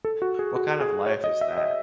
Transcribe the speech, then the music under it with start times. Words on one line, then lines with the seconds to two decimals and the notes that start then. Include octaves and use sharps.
What kind of life is that?
0.05 A4
0.22 F#4
0.39 G#4
0.56 F#4
0.81 G#4
1.06 C#5
1.24 D#5
1.41 E5
1.58 D#5